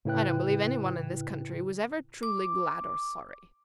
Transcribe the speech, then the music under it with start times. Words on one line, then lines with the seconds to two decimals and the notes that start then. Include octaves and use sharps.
I don't believe any one in this country was ever truly glad or sorry.
0.05 A2 C#3 E4 B4 G5 F#6
2.23 D6